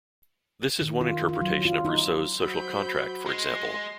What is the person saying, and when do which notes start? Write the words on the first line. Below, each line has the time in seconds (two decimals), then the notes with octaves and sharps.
This is one interpretation of Rousseau's "Social Contract", for example.
0.82 D#3
1.01 F4
1.29 F4
1.42 F#3
1.65 F4
1.85 D#4
2.41 F#3 C5 B5 G6
3.27 G#3 C6